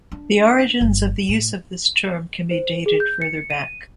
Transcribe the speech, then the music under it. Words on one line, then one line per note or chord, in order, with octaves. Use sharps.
The origins of the use of this term can be dated further back.
D4
G1
A2
C5
G#4
G6
C#7
D#7